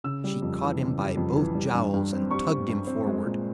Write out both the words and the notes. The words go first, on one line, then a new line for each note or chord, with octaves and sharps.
She caught him by both jowls and tugged him forward.
C#3 E6
G3
F2
E3
C#3
G3
F2
E3
G3
G2
G2
C4
G3 C#6
G2
G2
C4
G#3
A#2